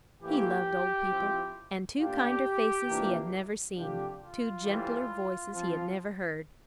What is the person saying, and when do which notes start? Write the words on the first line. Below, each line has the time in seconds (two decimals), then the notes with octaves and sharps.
He loved old people, and two kinder faces he had never seen--two gentler voices he had never heard.
0.21 A2 E3 A#3 G4
1.09 F3 C4 E4
1.97 A#2 A3 D4 F4 G4
2.86 C3 E3 A#3 D4 F4
3.75 C3 F3 A3 D4 F4 G4
4.19 F4
4.63 A2 E3 G3
5.52 F3 C4 F4